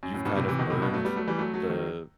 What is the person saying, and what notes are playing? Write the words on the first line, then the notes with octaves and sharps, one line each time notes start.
you've kind of earned the
F#2
F#2 A2
G2 B2
A2 C3
C3 E3
B2 D#3
A2 C3
G2 B2
F#3 A3
G3 B3
F#3 A3
E3 G3
F#3 A3
F#3 A3
D#3 F#3